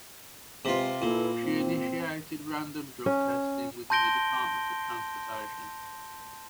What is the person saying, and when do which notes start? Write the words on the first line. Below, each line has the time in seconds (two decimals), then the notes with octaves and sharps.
She initiated random drug testing within the Department of Transportation.
0.65 C3 G#3 C4 F4 B4
1.02 A#2 E4 A4 B4
1.44 C4
3.06 C#4
3.90 A5 C6 G6 A#6 D7 G7